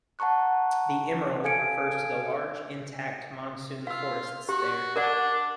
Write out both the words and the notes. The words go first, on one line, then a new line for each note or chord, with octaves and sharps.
The "emerald" refers to the large intact monsoon forests there.
F#5 A5 A#5 C#6 F#6
A4 F5 G#5 G#6 C#7 D7
F4 F5 E6
F#4 G4
D4 A#4 D5 F#5